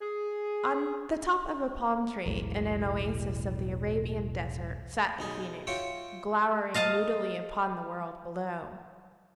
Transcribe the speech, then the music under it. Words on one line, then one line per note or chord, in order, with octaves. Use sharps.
On the top of a palm tree, in an oasis of the Arabian desert, sat the Phoenix, glowering moodily upon the world below.
G#4
E1 B1 A2
B1 D#4 G#4
F4 F#4 C#5 E5 F#5 G5
D#5 F5 A5 A#5